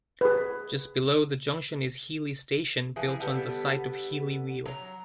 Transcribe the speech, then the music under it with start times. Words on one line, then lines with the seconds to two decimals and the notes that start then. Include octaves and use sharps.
Just below the junction is Heeley Station, built on the site of Heeley Wheel.
0.21 G#4 B4
2.96 E3 F3 G#4
3.20 D3 G3 B3
4.65 F#3 A#5